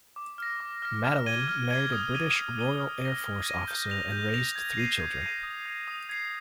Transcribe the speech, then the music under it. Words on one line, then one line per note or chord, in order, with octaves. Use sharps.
Madeleine married a British Royal Air Force officer and raised three children.
D6
F6 A#6
D6
F6 A#6
F6
G#6 D#7 G7
F6
G#6 D#7 G7
D#6
G#6 D#7 G7
D#6
G#6 D#7 G7
F6
A#6 D#7
F6
A#6 D#7
G6
A#6 F7
G6
A#6 F7
G#6
C7 D#7
G#6
C7 D#7
D#6
G#6 C7
D#6
G#6 C7